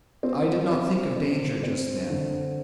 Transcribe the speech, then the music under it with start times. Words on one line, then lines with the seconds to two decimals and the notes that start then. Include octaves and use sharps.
'I did not think of danger just then.
0.23 C4
0.70 C4
1.16 C4
1.63 C4
2.10 D3